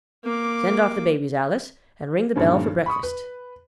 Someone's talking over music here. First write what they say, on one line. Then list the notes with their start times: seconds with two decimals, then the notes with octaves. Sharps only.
"Send off the babies, Alice, and ring the bell for breakfast."
0.24 A#3 D6
2.36 G2 A#2 D3 D#3 F3 C#4
2.86 B5 C#6 D#6
3.03 B4